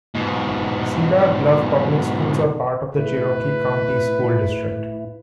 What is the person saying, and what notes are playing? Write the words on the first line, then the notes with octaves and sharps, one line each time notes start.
Cedar Bluff Public Schools are part of the Cherokee County School District.
G#2 B2
A2 E4 B4